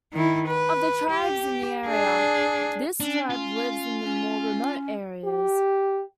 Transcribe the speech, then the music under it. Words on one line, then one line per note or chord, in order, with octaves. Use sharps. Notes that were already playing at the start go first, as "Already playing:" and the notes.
Of the tribes in the area, this tribe lives in the more remote areas.
D#3 E4
B4
G4
D4 G#4
C#4 D4
F4
C#4
G4